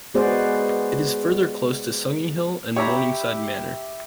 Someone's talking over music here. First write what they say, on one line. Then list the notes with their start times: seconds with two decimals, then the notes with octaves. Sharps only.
It is further close to Sunninghill and Morningside Manor.
0.14 G#3 B3 F#4 G#4 C5 D5
2.76 G4 C#5 E5 A#5 B5